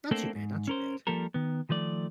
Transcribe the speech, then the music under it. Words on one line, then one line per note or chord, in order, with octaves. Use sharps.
Not too bad. Not too bad.
A3 A#3 C4 D4 A4
G#2
C#4 A#4 C5
F3 G3 A#3 A4 A#4
D#3 B3
D#3 F3 A3 D5